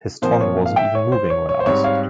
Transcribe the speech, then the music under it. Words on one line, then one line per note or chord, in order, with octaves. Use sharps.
His tongue wasn’t even moving when asked.
A#2 F3 C4 C5
C#5
F5
E5 G5
C#5
C5
C#5
C#5
C5
G#2 G3 C4 C#5
C#5 F5